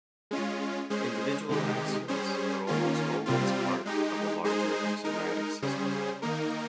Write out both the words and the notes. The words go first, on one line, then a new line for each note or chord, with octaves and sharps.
Individual axioms are almost always part of a larger axiomatic system.
G#3 C#4 F4
G#3 C#4 G#4 C5
C3 D#3 G#3 D#4 G4
G3 C#4 G#4 C5
D#3 A#3 C#4 F4
C3 G3 C4 F4
G#3 D#4 G4
G#3 D#4 G#4 C5
G#3 D#4 A#4
C#3 G3 C#4 G#4 C5
D#3 A#3 D#4 A#4